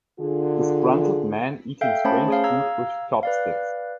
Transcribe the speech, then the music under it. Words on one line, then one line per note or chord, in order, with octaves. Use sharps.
Disgruntled man eating strange food with chopsticks.
D3 F4 G#4
A4 E5 F5 G5 G6
A3 C#4 C5 C#5 A5 B5
G#4 C#5 F5
F5 A#5 E6 G#6
B4 D5 F5